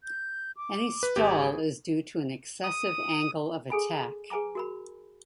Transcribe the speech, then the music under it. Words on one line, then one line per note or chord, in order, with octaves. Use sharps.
Any stall is due to an excessive angle of attack.
G6
D6
B4
G#1 G4 G#4
D#6
G#4 A4 G#5 B5
G#4 B4 G#5 A#5 D6
F#4 A#4 B5